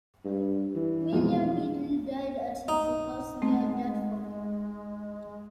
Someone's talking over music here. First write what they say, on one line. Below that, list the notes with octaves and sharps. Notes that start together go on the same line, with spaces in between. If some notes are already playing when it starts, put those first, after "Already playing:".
William Bedle died at his house near Dartford.
G2
E3
F2 B2 G#3
D#4
G#3 A3 C4